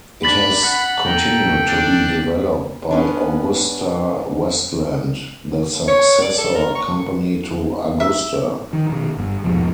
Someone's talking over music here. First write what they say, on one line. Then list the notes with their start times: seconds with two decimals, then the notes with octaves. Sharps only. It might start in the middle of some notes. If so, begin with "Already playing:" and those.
It has continued to be developed by AgustaWestland, the successor company to Agusta.
0.23 D4 B5 A6 B6 F#7
0.63 F#5 A6
1.06 A4 G5 A#5
1.67 D4
2.91 B3 C#4 D4
5.88 C#5
6.21 D5
6.38 A4
6.55 A#4
6.75 C#6
8.00 E5
8.73 D#3
8.89 B2 D#3
9.17 G1 G2
9.44 E2 G#2 B2 F3